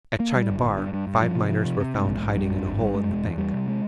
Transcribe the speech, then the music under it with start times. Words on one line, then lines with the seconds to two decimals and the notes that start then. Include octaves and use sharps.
At China Bar five miners were found hiding in a hole in the bank.
0.20 A#3
0.35 G3
0.50 G1
0.64 G1
0.78 G2
0.93 G2
1.07 G2
1.22 F3
1.36 C3
1.50 F3
1.65 C3
1.80 C3
1.94 G#2
2.08 A#1
2.23 A#1
2.37 G3
2.52 G2
2.66 G#1
2.81 G2
2.95 G#3
3.09 E1
3.24 E2
3.38 G3
3.53 C3
3.68 G#3